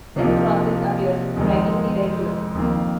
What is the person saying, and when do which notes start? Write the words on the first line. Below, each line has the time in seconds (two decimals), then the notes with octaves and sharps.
This process appears strikingly regular.
0.16 C2 C3 F3 A#3 D#4
1.36 F2 D#3 G#3 C4 D#4
2.55 F2 D#3 A#3